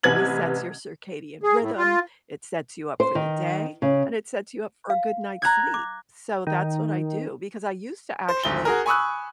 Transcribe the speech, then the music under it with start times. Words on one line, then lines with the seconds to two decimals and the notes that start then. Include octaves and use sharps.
resets your circadian rhythm, it sets you up for the day, and it sets you up for a good night's sleep. So that's what I do, because I used to actually,
0.03 A1 C3 B4 G#6 F#7
1.43 G#4
1.60 A2
1.78 F4
3.00 C5
3.15 D#3
3.82 C#3
4.90 F5
5.42 A#5 F#6 G#6
5.74 D6
6.47 D#3
8.29 C5
8.43 G#1 D2 G7
8.65 F#4 G#4 A#4
8.86 G#5 B5 C#6 D#6 E6 F#6